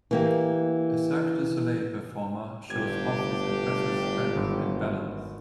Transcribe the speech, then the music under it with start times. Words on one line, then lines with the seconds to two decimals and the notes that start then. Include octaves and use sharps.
A Cirque de Solei performer shows off his impressive strength and balance.
0.11 E3 A#3 G4
2.70 G1 A2 D4 G4 G#6
4.35 G#1